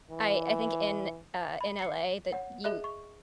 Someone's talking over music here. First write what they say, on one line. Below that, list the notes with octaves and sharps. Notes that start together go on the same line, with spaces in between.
I I think in uh, in LA that you
E3
B5
C7 C#7
C#5 F#5
G#4 D#5 E5 F#6
C#6